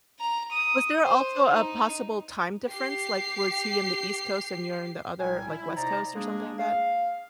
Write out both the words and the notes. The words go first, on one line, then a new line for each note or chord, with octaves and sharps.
Was there also a possible time difference? Like, was he in the East Coast and you're in the other, like, West Coast, or something like that?
A#5
D#6
C5
D#4
G4 C7
C2 A#2 F#3 G3 G5 G#5
E4
C3 D#4 C5 D5 A#5
G#3 A#3 D4 G#4
F5